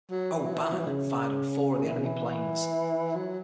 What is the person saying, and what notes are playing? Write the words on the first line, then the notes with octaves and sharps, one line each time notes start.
"O'Bannon" fired on four of the enemy planes.
F#3
E3
F#3
E3
F#3
E3
C#3
E3
C#3
E3
F#3